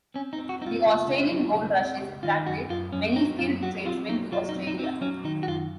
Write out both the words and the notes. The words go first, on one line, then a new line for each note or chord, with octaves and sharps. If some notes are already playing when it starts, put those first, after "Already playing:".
The Australian gold rushes attracted many skilled tradesmen to Australia.
C4 C#4
D#4
C4
F#4
C4 D#4
F4
C#2
C#3
F#3
C#2
C4
C#2
D#3 F4
F#2 F#4
F#2 F4
F#2 C#4
F#3 D#4
F#2 F4
F#3 F#4
C4 F4
F#3 D#4
F#3 F4
D#4
C4
D#4
C4 D#4
F#3 C#4
D#3 D#4
F#4
F#2 F4